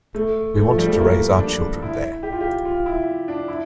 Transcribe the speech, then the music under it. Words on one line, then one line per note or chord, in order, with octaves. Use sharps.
We wanted to raise our children there.
A3
A3
F3
G3
A3
A#3
D4
E4
G4
F4
G4
F4
E4
D4
E4